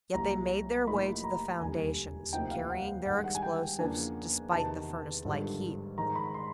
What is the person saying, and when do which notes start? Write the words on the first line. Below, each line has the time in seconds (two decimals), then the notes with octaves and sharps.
Yet they made their way to the foundations, carrying their explosives, despite the furnace-like heat.
0.14 C2 A#2 F#3 A#5
0.87 A2 F3 A#3 D#4 B5
1.24 A#5
1.60 E1 D#2 D3 G3 G#5
2.33 D2 C3 F3 A#3 D#4 G5
2.51 F5
2.70 F#5
3.06 G2 D#3 G#3 F#5
3.24 F#5
3.35 G#5
3.42 G5
3.79 E2 C#3 F3 A#3 D4 G#5
4.52 E2 C3 D#3 A5
5.25 G#1 G2 D3 F3
5.97 G#2 D#3 G#3 A#5
6.15 B5
6.34 C6